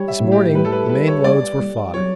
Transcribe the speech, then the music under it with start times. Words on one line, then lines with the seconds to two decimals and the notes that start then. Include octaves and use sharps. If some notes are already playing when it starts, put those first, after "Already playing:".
This morning the main loads were fodder.
Already playing: G3 C#5
0.08 E5
0.20 A2
0.32 G4
0.54 G3 B4
0.65 A4
0.72 B4
0.89 G3 B4
1.07 C#5
1.24 G3 D5
1.59 G3
1.94 F#3 C#5